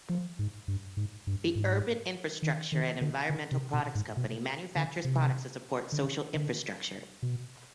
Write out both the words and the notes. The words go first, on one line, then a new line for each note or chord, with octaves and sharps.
The Urban Infrastructure and Environmental Products Company manufactures Products to support social infrastructure.
F3
G#2
G2
G#2
G2
G#2
D#3
D#3
D3
D3
C3
B2
G#2
B2
D3
C3
D3
D3
B2